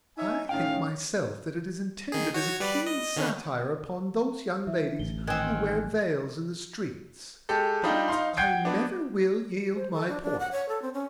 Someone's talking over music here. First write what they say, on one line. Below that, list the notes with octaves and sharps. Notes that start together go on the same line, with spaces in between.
I think, myself, that it is intended as a keen satire upon those young ladies who wear veils in the streets; but I never will yield my point.
D#4 C#5 E5 G#5
A2 D#3 C#4 F5 G5
D#3 G#4
F#4 C#5 G#6
G3 B4 D5
D#5
D3 D#3 C#4
E3 E5
A1 G7
D#3 C4 G#5 F#6 G#6
G#3 G4 A4
G3 D4 D#4 F4 G4 D#5
D#4 F5 C6
F#5 G5 G6 G#6 C7 D7
B3 D4
C5
A4
D4
D4
F#5
C#5
A4
C4
C#4